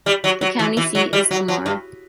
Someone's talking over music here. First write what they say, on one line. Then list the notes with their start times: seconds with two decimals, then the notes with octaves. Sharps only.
The county seat is Lamar.
0.06 G3
0.24 F#3
0.41 F#3
0.59 E3
0.77 E3
0.95 F#3
1.13 G3
1.31 F#3
1.48 F#3
1.66 G2